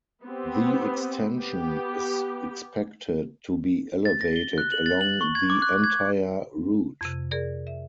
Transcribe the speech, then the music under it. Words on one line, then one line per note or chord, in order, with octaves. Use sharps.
The extension is expected to be elevated along the entire route.
B3 C4 G4
B3 G4
A6
A#6
G7
F#6
F#7
A6
F#7
C#6
G#6
D6
F#6
G#6
F2 C3
G#4 A#4 D5
E5